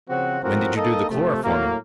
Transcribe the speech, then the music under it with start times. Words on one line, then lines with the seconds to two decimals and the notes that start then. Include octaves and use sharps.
"When did you do the chloroforming?"
0.09 C#3 F3 C4 F#4
0.42 A2 F3 C4 F#4 A#4
0.76 A#3 D#4 A4 D#5
1.09 C3 F3 A3
1.43 A2 F#3 A#3